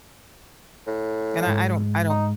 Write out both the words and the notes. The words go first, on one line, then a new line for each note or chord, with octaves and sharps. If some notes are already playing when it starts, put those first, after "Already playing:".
and I I don't I don't
A2
G#2
D#4